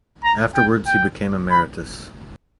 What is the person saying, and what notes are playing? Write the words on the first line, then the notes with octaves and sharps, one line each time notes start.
Afterwards he became emeritus.
A#5
G5
G5
B5